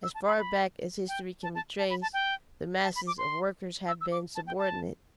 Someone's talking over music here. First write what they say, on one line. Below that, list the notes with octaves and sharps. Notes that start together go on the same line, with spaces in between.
As far back as history can be traced, the masses of workers have been subordinate.
E6
A5
B5
B5
G5
A5
A5
A5
B5
A5
G5
A5
B5
D6
C6
E6
E6
D6
A5
G5
A5